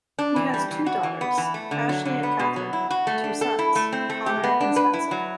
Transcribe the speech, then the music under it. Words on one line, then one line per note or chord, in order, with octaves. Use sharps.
He has two daughters, Ashleigh and Kathryn and two sons, Connor and Spencer.
D4
E3
G3
E3
F#4
E3
B3
E3
A3
D3
F#3
D3
B3
B2
F#3
E4
F#4
A3
D4
A4
E4
A3
C4
A3
G4
B3
D4
B4
E4
F#3